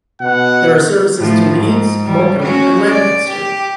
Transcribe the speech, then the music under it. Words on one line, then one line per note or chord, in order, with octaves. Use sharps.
There are services to Leeds, Morecambe and Lancaster.
B2 F#5
A2 F3
G#2
G3
C#4 F#4
D5
G4